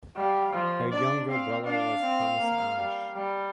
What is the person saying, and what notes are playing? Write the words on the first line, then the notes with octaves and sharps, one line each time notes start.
Her younger brother was Thomas Ashe.
G3 F5
F3
D4 D5
C4 F5
D4 F5
C4
A#3
G3
G3